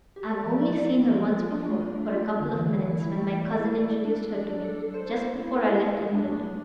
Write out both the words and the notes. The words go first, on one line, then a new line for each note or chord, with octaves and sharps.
I have only seen her once before, for a couple of minutes, when my cousin introduced her to me, just before I left England.
G4
D5
F3
D5
D5
C4
F3
F3
F4
D4
A3
D4
A3
F4
F4
D3
E3
E4
E3
E4
A3
E3
A3
E4
D5
A4
D4
D4
D5
D4
A4
A4
C5
E4
C5
E4
A4
E4
B3
B3
D4
A3
D4